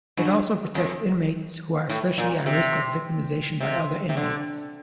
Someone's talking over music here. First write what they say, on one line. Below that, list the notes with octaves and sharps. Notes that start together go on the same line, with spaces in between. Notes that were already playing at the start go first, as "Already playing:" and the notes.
It also protects inmates who are especially at risk of victimization by other inmates.
G2
F2
A2
A#2
C3
C3
C3
D3